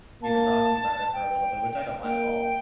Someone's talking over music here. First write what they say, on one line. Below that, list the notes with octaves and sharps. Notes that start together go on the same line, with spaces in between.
you've been talking about it for a little bit, which I don't mind at all.
A#3 A5
G5
A#3 G5